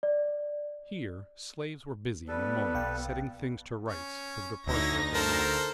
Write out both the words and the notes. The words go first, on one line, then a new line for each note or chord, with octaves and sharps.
Here slaves were busy in a moment setting things to rights for the departure of their master.
D5
G3 B3 A4 B4 D5
B1 F5 G5
C#4
D2 D#4 E4 C#5 A#6
A4 A#4 C5